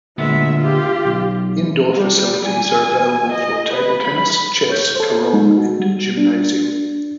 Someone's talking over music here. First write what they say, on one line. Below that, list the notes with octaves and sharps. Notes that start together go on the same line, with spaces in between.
Indoor facilities are available for table tennis, chess, carom and gymnasium.
D2 A#2 G#3 B3 E5
F4 G4
B1
G3
G#5
D#5
B4
B5
C#5 G6
A4 C5
G#3 D#4
F#4
G3
D4